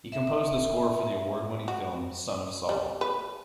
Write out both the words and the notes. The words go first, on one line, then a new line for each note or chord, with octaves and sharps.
He composed the score for the award-winning film "Son of Saul".
E5
F#4
G3
B4